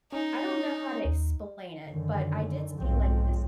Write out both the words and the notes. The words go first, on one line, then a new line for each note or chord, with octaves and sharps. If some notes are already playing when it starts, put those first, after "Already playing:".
I don't know how to explain it, but I did see like this
C#4 D#4
D#2
F#2 D3 D#3
B1 F2 G#2 F3 C4